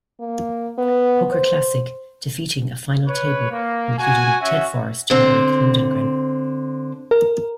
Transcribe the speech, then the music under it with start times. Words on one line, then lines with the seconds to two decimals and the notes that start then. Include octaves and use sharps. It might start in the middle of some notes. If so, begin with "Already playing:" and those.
Poker Classic, defeating a final table including Ted Forrest and Erick Lindgren.
0.20 A#3
0.78 B3
1.32 C5
3.08 B4 C#5
3.50 A#3
3.99 F#4 G#5
4.41 C#4 F#4 E5
5.10 D3 C4
7.11 A#4